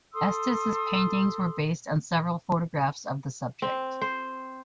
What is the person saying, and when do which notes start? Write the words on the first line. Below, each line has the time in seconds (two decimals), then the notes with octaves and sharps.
Estes's paintings were based on several photographs of the subject.
0.13 A4 C6 D#6 E6
3.62 C4
4.02 C5